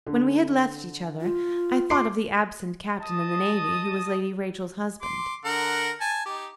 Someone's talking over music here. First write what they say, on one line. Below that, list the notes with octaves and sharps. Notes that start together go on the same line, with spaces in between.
When we had left each other, I thought of the absent Captain in the Navy who was Lady Rachel's husband.
D3
F4
C6 D6 C7
D#5 A5 D#6
C6 D6
D3 A#4 F#5
G#5 A5
D#4 G4